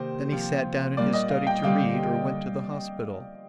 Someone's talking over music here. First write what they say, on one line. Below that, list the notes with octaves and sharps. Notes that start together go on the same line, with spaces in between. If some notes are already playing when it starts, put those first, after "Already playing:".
Then he sat down in his study to read, or went to the hospital.
Already playing: C3 D#3 A#3 D4 G4 C5
C3 F3 C4
A#2 G3 A#3 D5
D#5
F5
G5
D3 G3 C4 G4 F5